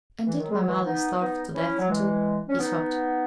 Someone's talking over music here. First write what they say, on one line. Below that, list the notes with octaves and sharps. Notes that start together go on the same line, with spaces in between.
"And did my mother starve to death too?" he sobbed.
E3
D#3 F#3
G#3
F#3
E3 G#3
B3 D#4
B3 D#4
C#4 E4
F#3
E3 G#3
C#4
B3 D#4